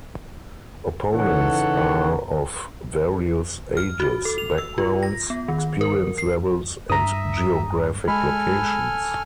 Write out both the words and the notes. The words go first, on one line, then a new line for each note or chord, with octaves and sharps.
Opponents are of various ages, backgrounds, experience levels, and geographic locations.
C#3 E3 D#4 A4 C#5 F#5
F6
F#4
A4
F7
E6
F4
A#6
B3
D#3
A#4
C7
G2 E5 A#5 D#6
G#3 A4 G#5 B5 F6